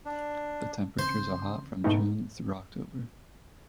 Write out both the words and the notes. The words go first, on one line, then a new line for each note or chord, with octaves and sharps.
The temperatures are hot from June through October.
D4
C#3 C4 C5
G#2 A3 B3 C4 D#4